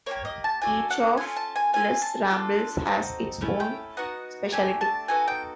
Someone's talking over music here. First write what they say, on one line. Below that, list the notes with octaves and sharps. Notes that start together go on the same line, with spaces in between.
Each of "Les Rambles" has its own specialty.
A#3 D4 G4 C#5
D#5
A5
A3 D4 F#4 A4 G#5
F#5
C#4 F4 A4 G#5
A5
G#5
C#4 F4 A4 G#5
A5
D4 F4 A4
C4 D#4 F#4 A4
A3 C#4 E4 A4
G5
B3 D#4 F#4 F#5
A3 D4 G4 G#5
A5
B3 D#4 F#4 A4 G#5
G5